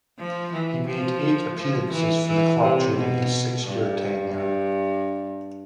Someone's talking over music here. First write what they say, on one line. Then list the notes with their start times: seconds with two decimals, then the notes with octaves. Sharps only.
He made eight appearances for the club during his six-year tenure.
0.18 F3
0.53 E3
0.88 F3
1.57 F3
1.92 E3
2.27 E3
2.61 C3
2.96 B2
3.66 G2
4.34 G2